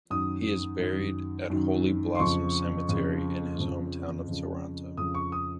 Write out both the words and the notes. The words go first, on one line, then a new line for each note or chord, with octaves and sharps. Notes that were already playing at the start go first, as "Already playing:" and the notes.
He is buried at Holy Blossom Cemetery, in his home town of Toronto.
F#2 D#3 D#6
F#2 D#3
F#2 D#3
C6
F2 C#3 F3 C#6
F2 C#3 F3
F2 C#3 F3
F2 C#3 F3
F2 C#3 F3 D#6
C#6
D#6